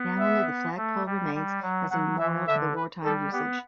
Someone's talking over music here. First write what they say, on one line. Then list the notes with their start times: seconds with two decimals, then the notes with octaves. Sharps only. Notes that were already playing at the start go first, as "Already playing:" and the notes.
Now only the flag pole remains as a memorial to the wartime usage.
Already playing: B3
0.19 E5
0.77 A3
1.06 G3
1.34 G3
1.62 F#3
1.91 F#3 F#5
2.19 E3 E5
2.47 D3 E5
2.76 B4
3.04 G3 A4
3.32 B3 G4